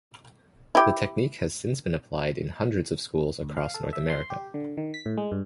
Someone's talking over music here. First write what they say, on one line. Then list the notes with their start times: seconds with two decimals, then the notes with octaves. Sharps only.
The technique has since been applied in hundreds of schools across North America.
0.75 E4 G4
3.43 D2
3.57 F5
3.74 A4
3.93 E5
4.10 C6
4.30 G4
4.54 D3
4.77 D#3
4.94 B6
5.06 A2
5.17 G#3
5.32 G2